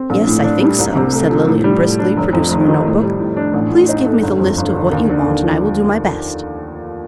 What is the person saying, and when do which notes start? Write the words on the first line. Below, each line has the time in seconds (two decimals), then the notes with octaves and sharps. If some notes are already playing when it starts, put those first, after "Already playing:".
"Yes, I think so," said Lilian briskly, producing her notebook. "Please give me the list of what you want and I will do my best."
Already playing: C4
0.10 A#1
0.27 A2
0.44 D4
0.61 G3
0.79 C2
0.95 C3
1.13 A3
1.30 F3
1.47 A2
1.64 G3
1.81 A2
1.99 D4
2.17 F1
2.33 F2
2.51 F1
2.68 D#3
2.85 A2
3.03 G3
3.20 A2
3.37 D4
3.54 A1
3.71 A2
3.89 D#4
4.06 A3
4.23 G1
4.40 F2
4.58 G1
4.74 D3
4.91 D#2
5.09 D3
5.26 D#2
5.43 F3